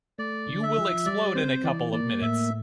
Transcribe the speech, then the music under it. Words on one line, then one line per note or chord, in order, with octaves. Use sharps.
You will explode in a couple of minutes.
A3 D5
D3
E5
F3
G3 D5
C4 C5
E3 D5
A#3 D5
A2 E5